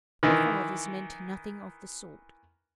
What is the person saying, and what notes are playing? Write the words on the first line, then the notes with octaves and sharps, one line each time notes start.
Our fathers meant nothing of the sort.
D#3 E3